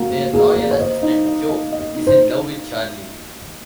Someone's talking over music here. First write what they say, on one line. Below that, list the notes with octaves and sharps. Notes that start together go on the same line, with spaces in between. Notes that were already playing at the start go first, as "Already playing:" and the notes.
Their loyal assistant, Joe, is in love with Charlie.
Already playing: A#3 F#4
A#3
A#3 G#4
A#3 G#4
C#5
C5 D#5
D#4
D#5
D#5
D#5
D#4
C5